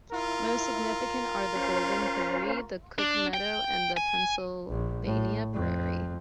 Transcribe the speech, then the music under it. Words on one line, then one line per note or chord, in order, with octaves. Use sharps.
Most significant are the Golden Prairie, the Cook Meadow and the Pennsylvania Prairie.
E4 F4 A#4
C#4 C5 F5
D4
G5
G#5
A#1
A2
F2